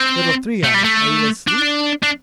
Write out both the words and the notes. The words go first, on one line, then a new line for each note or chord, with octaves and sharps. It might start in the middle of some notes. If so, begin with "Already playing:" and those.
'Little Three-eyes, are you asleep?'
Already playing: C4
A3
G3
A3
D4
D4